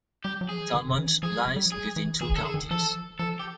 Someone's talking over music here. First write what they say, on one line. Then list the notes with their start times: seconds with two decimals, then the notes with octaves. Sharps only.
Tallmadge lies within two counties.
0.24 G3 G4
0.41 F#3
0.49 F3 G#4
0.58 E3
0.73 D#3
0.98 E3
1.23 F3 G#4
1.33 F#3
1.39 G3
1.56 G3
1.66 F3
1.71 F#3 G#4
1.96 E3
2.21 E3 G#4
2.36 D#3 A4
2.45 G#4
2.54 D#3
2.71 F3 A4
2.82 E3
2.92 F3
3.19 F3 A4
3.40 G4